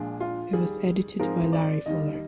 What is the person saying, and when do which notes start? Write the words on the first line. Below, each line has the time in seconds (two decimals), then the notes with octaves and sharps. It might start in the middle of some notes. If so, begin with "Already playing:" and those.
It was edited by Larry Fuller.
Already playing: A#1 A#2 G#3 D4
0.20 F4
0.53 D#2 D#3 G3 G#4
1.19 G#2 F3 G#3 C4 A#4
1.53 D5
1.86 D#2 D#3 G3 D#5